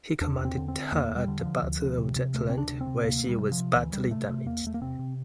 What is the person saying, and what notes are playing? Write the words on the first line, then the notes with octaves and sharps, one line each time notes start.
He commanded her at the Battle of Jutland, where she was badly damaged.
E2 D4
E2
C4
D3
C4
D3
E2 A#3
E2
G3
D3
F3
D3
D2
D2
C3
C3
D2 A3
D2 C4
D4
C3
C4
C3
D2 A#3
D2
G3
C3
F3
C3
D2 E3
D2 G3
C3 A3
C3 A3
E2 A#3
E2 A3
A#3
C3 C4
C3